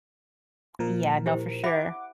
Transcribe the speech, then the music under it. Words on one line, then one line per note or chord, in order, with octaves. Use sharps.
Yeah, no, for sure.
A#2 F3 A#4
E4 G4 C5
E5 F#5 B5 D6